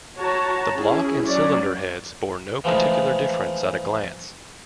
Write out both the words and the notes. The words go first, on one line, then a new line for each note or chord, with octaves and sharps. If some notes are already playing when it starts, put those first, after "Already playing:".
The block and cylinder heads bore no particular difference at a glance.
F#4 C#5 A5 A#5
C#4 E4 G#4
F#3 C#4 C#5 D5
E3 F3 G#3 A3 D#4